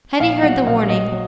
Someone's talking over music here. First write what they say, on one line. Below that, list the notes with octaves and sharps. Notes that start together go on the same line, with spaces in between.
Hetty heard the warning.
A#1 F5
F#3 F#5
A#1 F5
A#1 D#5
F#3